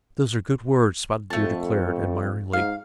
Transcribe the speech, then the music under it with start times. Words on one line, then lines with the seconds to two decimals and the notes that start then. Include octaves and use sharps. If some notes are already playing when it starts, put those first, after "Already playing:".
"Those are good words," Spotted Deer declared, admiringly.
1.30 F2 A3 A5
2.53 G#2 F5